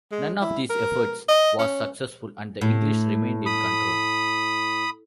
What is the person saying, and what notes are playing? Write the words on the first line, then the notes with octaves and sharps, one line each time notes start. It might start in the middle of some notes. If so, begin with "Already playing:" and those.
None of these efforts was successful and the English remained in control.
G#3
E4
A#4
D#5
C#4
A2
B5 D#6